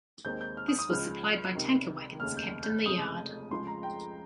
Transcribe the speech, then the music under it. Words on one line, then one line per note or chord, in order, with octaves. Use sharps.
This was supplied by tanker wagons kept in the yard.
D#2 D#3 G#3 C4 D#4 G6
G6
F6
D#6
D#6
C#2 C#3 F3 G#3 F6
C#2 C3 D#3
F1 D#2 C#3 F6
G6
G6
F1 F2 C#3 G#3 D#6
C#2 C#3 F3 G#3 C6
A#5
G5